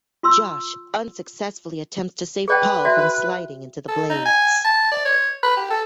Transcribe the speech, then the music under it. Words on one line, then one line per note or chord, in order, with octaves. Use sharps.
Josh unsuccessfully attempts to save Paul from sliding into the blades.
F4 C6 E6
G#4 B4 D5 G5
F#4 D5 E5
A4
D#4
G#5
A5
D5
C#5
B4
G4
A4